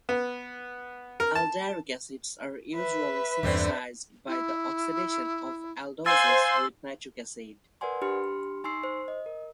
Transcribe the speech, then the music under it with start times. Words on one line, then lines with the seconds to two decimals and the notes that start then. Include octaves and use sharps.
Aldaric acids are usually synthesized by the oxidation of aldoses with nitric acid.
0.09 B3
1.20 A#4
1.35 A5
2.74 B4 E5
3.43 E2 G2 D3 E3 A3 C4
4.28 E4
6.06 C5 F5 G#5 C6 E6 A6
7.81 A#4 B4 D5 F#5 G#5 C6
8.01 D4 G4 B5 C6 F6 C#7
8.64 D#4 G#5 C6 C#6 E6 C7
8.84 C5
9.08 D#5
9.26 A#4